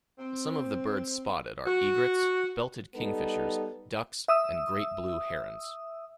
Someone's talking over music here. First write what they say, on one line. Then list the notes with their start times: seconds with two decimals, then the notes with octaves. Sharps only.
Some of the birds spotted are egrets, belted kingfishers, ducks, and great blue herons.
0.19 C4
1.67 F#4
2.95 G3 B3 D#4 A4
4.28 E5 D#6 E6